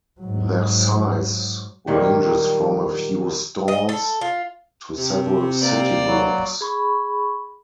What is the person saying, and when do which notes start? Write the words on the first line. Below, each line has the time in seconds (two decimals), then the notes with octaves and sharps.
Their size ranges from a few stalls to several city blocks.
0.21 G#2 F#3
1.87 A#2 D#3 F#3 G3 A#3
3.68 D#5
3.89 A4
4.21 F4
4.97 C3
5.62 A#3 D5
6.02 F#3
6.61 G#4 B5 C#6